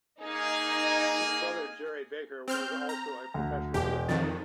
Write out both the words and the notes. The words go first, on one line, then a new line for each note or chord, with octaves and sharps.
His brother Gerry Baker was also a professional footballer.
A#3 D#4 G#4
C4 F6 G6
A#5
D2
E1 G4
F2 D#3 A6